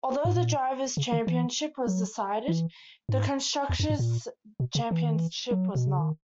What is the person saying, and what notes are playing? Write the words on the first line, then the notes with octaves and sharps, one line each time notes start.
Although the Drivers' Championship was decided, the Constructors' Championship was not.
G#2
A#2
C#3
D#3
E3
F#3
E3
G#2
E2
F#2
G#2
A#2
B2
C#3
E3
D#3
E3
F#3
B2
C#3
D#3